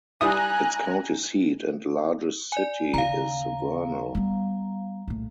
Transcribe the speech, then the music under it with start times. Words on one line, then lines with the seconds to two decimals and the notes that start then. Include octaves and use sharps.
Its county seat and largest city is Vernal.
0.21 G3 E4 G#5 A#5 D#6 F#6
2.52 D5 G#5
2.94 D#2 C#3 F5 A#5
4.15 G3 B3
5.08 A#1 A2